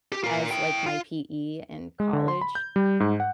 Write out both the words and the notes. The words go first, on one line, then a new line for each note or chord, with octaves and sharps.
as, like, my PE in college,
G4
F4 A#4
E4 G5
F4
G#3
D3
C6
B5
G6
G3
G#2
F#5